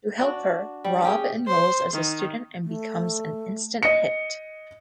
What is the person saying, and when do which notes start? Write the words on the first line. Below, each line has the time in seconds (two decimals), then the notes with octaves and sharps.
To help her, Rob enrolls as a student and becomes an instant hit.
0.19 D4 F#4
0.84 G3
1.02 C#4 G4 G#4
1.47 C5
1.94 D#3
2.64 A3
3.83 D#5 C#7